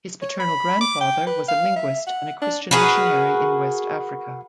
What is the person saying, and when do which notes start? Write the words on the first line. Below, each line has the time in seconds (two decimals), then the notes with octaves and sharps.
His paternal grandfather was a linguist and a Christian missionary in West Africa.
0.22 C#5
0.39 B5
0.81 D6
1.01 G5
1.27 B4
1.48 F5
1.76 E5
2.07 F#5
2.42 D4
2.71 F#4 G#4 A#4 B4